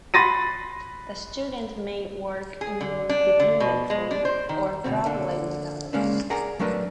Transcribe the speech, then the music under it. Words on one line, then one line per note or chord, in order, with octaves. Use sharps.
The student may work independently or collaborate with others.
B5 C6 A6 A#6 D#7
G#4
D3
D4
D3
B2
G#3
D4
C5
D#3
D2 G2 B2 C4
D3 A#3
C#3 G#3 A#3 C#4 D4
G#4 A#4 D5 F#5 A#5
F#3 A3 D4 A#4 B4